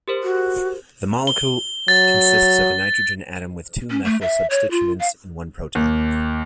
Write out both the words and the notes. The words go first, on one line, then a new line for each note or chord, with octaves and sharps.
The molecule consists of a nitrogen atom with two methyl substituents and one proton.
G4 A#4 C5
F#4
G7
F#3 A6
C#4
A3
E5
C#5
F4
F5
D#2